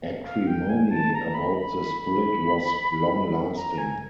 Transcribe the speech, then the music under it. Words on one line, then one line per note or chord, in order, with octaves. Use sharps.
Acrimony about the split was long-lasting.
F5
G5
G#5
A5
A#5
B5
B5
B5
B5
A#5
G#5